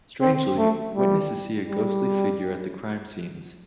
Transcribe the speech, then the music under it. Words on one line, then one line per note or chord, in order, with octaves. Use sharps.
Strangely, witnesses see a ghostly figure at the crime scenes.
C4
A3
G3
G3